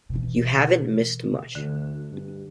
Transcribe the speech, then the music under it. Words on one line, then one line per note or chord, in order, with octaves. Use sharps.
You haven't missed much.
B2 E3
D2 D3
G2